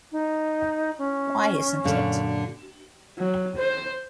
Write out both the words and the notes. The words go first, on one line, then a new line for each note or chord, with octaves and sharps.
Why isn't it?
D#4
C#4
F#2 A#2 D3
F#3
C5